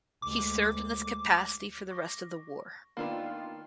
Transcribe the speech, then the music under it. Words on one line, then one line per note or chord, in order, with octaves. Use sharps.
He served in this capacity for the rest of the War.
D2 G#3 D6
C#6 D6 A#6
D#3 A#3 B3 D4 F4 B4 G5